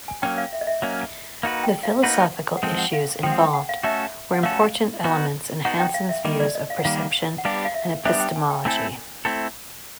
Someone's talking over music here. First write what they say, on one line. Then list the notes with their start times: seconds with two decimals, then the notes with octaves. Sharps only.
The philosophical issues involved were important elements in Hanson's views of perception and epistemology.
0.08 G#5
0.22 F#3 A#3 C#4 G5
0.38 F5
0.53 E5
0.61 D#5
0.67 E5
0.82 F#3 A#3 C#4
1.43 A#3 D#4 F#4 B4 F5
1.64 G5
1.83 F5
2.03 A#3 D#4 F#4 B4 F#5
2.57 F#5
2.63 F3 G#3 C4 G5
2.78 F#5
2.93 F5
3.23 F3 G#3 C4 G5
3.32 F#5
3.39 G5
3.53 F#5
3.69 F5
3.83 A3 C#4 F#4 A4 E5
4.34 F#5
4.43 A3 C#4 F#4 A4 F5
5.04 B3 D#4 F#4
5.65 B3 D#4 F#4 F#5
5.79 G5
5.94 F5
6.09 E5
6.25 D#3 G3 A#3 D#5
6.40 D5
6.55 D#5
6.70 F5
6.78 F#5
6.85 D#3 G3 A#3 F5
7.38 F#5
7.45 G3 B3 D4 G4 F5
7.65 F5
7.74 E5
8.05 G3 B3 D4 G4 E5
8.20 G5
8.36 G#5
8.50 G5
8.65 A3 C4 E4 A4 G#5
9.25 A3 C4 E4 A4